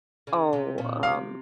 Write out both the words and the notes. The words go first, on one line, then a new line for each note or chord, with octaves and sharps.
"Oh, um,
C#3
C3
A#2
C3 F5